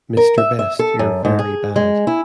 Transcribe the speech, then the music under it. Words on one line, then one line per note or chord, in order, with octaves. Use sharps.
Mr. Best You're Very Bad.
A#4
E5
E5
A4
F#2
G#2
G#4
G#3
E4